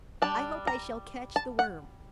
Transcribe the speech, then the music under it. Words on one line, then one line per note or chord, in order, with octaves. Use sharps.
"I hope I shall catch the worm."
G3 D4 A5
A#5
A5
F#5